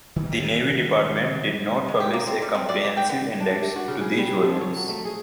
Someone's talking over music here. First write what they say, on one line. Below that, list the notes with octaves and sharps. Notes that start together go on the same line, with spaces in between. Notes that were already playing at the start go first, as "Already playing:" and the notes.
The Navy Department did not publish a comprehensive index to these volumes.
D#3 E3 G3
G#3
G4
A#3
C4
G3
C4
D5
C3
G5
B3
D4
G4
F#4
C#3
G#4
G3
F3
C#5
F#3
A3
G#4